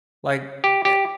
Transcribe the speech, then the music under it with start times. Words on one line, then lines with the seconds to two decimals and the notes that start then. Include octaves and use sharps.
like, a
0.64 G4
0.85 G4